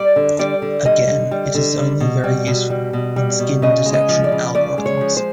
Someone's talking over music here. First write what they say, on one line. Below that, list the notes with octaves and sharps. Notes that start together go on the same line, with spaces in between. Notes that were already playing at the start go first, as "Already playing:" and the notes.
Again, it is only very useful in skin detection algorithms.
Already playing: G3 D5
D3
G3 D5
D3
G3 D#5
D3
G3
D3
G3
B2
G3
B2
G3
B2
G3
B2
C#3 D#5
G#3
D#5
F3
D5
C#3
C#3 D5
G#3
C#5
F3
C5